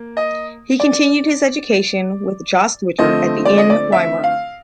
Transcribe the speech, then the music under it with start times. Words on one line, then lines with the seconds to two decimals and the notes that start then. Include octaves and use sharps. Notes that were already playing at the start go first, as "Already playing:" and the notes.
He continued his education with Jost Witter at the in Weimar.
Already playing: A#3
0.17 D#5
0.80 D5
2.98 D3 F3 A3 C4 D#5
3.45 D5
3.58 D#5
3.70 D5
3.92 E5
4.24 F5